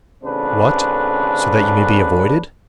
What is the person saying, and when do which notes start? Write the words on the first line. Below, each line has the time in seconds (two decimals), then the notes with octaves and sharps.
"What! so that you may be avoided?"
0.23 A1 C#3 C4 D4 A4 B4